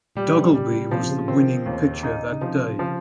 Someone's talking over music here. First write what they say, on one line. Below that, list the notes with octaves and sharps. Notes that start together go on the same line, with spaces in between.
Duggleby was the winning pitcher that day.
A#2 G3
C3
C#3 G3
A#2
C3 F3
C#3
D#3 C4
D#2
D#4
C#3
C3 F3
C#3 F3